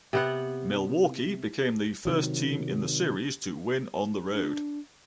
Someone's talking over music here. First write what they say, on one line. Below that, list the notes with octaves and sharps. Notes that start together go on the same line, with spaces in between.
Milwaukee became the first team in the series to win on the road.
C3 B3 F#5
C3 D#3 F#3
D4